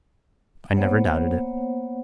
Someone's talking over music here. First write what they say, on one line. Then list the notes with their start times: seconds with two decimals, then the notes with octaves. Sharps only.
"I never doubted it."
0.76 A#3 B3 C5 C#5 F#5